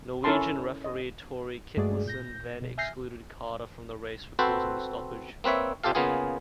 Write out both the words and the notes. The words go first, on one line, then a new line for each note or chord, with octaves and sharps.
Norwegian referee Torrie Kittlesen then excluded Carter from the race for causing the stoppage.
C#4 E4 A4 A#4 A5 C6
D#5
G2 G#3 A3 F#4 G#4 D5
A#2 G6 A#6
B2
E5 G#5 F6 G6 A#6 C7
C4 F#4 A4 B4 C5
A#3 C4 B4 C#5 E5
C3 F4 G4 A4 F5
C#3 A#3 B3 F4 G#4